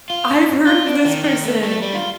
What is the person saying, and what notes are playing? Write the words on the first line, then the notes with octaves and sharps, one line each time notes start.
I've heard of this person.
F4
F4
D4
D#3
D#3
A3
A3
G3
F4